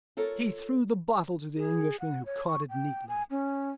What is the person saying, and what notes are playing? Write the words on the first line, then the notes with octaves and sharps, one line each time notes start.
He threw the bottle to the Englishman, who caught it neatly.
F4 A4 A#4 C#5
G#4
F#5
C#5
C#6
G5
G#5
C#4